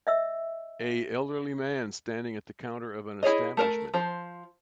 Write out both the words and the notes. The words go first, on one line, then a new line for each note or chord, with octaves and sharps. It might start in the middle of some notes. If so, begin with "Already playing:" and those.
A elderly man standing at the counter of an establishment.
D#5 E5 E6
E4 G#4 C#5 D#5
A3 A#4 C5 A5
F3 C5